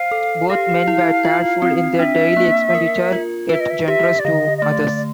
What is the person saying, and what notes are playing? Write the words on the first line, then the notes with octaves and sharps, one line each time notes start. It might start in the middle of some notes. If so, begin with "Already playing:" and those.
Both men were careful in their daily expenditure, yet generous to others.
Already playing: C5 F5
A4
G4 F5
E4
F4
C4
D4 E5
A#3
A#4
F4
B4 E5
D#5
E5
G4 E5
D5
D3 D#5
D#5
A3 D5